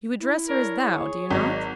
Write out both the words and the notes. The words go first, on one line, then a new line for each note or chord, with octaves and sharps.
"You address her as thou, do you not?"
E4
D4 A#4 C#5
G#4 C#5
G#1 F#3 D#5